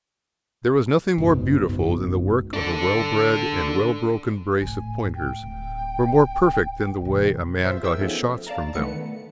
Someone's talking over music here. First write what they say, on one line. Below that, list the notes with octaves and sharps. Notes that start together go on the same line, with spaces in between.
There was nothing more beautiful than the work of a well-bred and well-broken brace of Pointers, or more perfect than the way a man got his shots from them.
F#1 B1 G#2 B2
D4 A4
G#1 A2 G#5
G5
D1
B2 E3
F4 C5 E5
G#4 A#4 E5 G5 E6
F3 A3 B3 C#4 D#4
D5 F5 A5 A#5
D#3 E3 A3 B3 B4 C#7